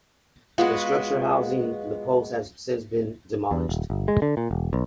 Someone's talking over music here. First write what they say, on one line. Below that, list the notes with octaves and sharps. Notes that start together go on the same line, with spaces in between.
The structure housing the post has since been demolished.
G#3 B3 F4 F#4
E2
D#1
G1
G#3
D3
A#2
E1
B1